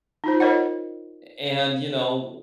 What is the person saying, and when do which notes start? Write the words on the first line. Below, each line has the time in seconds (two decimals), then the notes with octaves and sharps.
and, you know,
0.24 D#4 F4 C5
0.40 F4 A#4 C#5 D#5 F#5